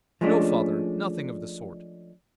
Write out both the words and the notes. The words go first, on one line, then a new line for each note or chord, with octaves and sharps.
'No, father, nothing of the sort.
F3 G#3 A3 C#4 D4